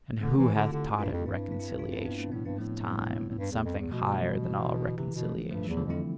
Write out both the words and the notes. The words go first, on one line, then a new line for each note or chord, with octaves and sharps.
And who hath taught it reconciliation with time, and something higher than all reconciliation?
D3 A3 C4
E3
E4 G4
D3 F4 A4
D3 E4 G4
G2 D4 F4
F2
G2 C4 E4
D4
E4
B3 D4
D4 F4
C4 E4
B3 D4
A3 C4
A2 B3 D4
G2 C4 E4
A2 F3 A3
G3 B3
A2
G2
E2
F2
E2
B2 F3 A3
E3 G3
E3
E3
E3
D3
C3 E3
B2
F3 A3
G2 F3 A3
E2 E3 G3
D3 F3
F2 C4 E4